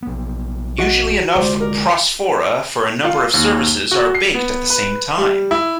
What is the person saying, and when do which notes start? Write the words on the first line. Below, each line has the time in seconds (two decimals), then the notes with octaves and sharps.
Usually enough prosphora for a number of services are baked at the same time.
0.02 A#1 B3
0.79 F#4 D#5 F#5
1.35 D2 G#3 C5 D5
1.61 A#4 D5
3.04 F4
3.34 D#2
3.67 G7
3.91 F#4
4.15 C7
4.34 B3
4.70 B4
5.18 G3
5.51 E4